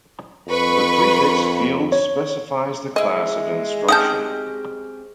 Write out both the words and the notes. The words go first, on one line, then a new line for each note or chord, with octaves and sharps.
The prefix field specifies the class of instruction.
F2 B4 B5 C#6
C#5
G#3 E4 G#4 D#5
C4 C#4 D#4 G4 F#5 A5 D#6 G6